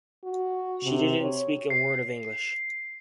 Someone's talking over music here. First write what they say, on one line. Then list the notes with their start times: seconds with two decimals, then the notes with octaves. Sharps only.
She didn't speak a word of English.
0.24 F#4
0.84 C3
1.22 C#5
1.70 C7